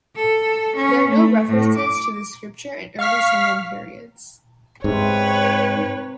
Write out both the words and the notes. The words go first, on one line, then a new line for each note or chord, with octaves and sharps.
There are no references to this scripture in early sangam periods.
A4
C#4
A3
A2
D6
F5 C#6 F6 B6
G#2 C3 B4 C#5